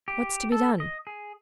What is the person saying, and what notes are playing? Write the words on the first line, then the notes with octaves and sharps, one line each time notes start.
What's to be done?
G4
A4
D#5
G#4